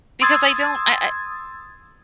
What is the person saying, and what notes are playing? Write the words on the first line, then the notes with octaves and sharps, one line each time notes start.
because I don't I
C6 D#6 E6 G#6 A6